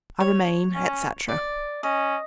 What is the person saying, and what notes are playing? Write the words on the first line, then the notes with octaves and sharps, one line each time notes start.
I remain, etc.
C#5
C#4
D5
C#4 D#5